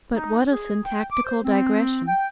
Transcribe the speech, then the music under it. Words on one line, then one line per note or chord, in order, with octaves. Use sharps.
But what a syntactical digression!
D#4
G#4
G5
D6
C5
C4
G5